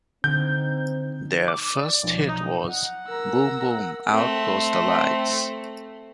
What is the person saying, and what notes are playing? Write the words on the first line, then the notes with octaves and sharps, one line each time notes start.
Their first hit was "Boom Boom Out Goes The Lights".
D3 C4 D#4 G6
D6
D5
B1 F3
D#4
F#5
A#4 A#5 E6
A3 C4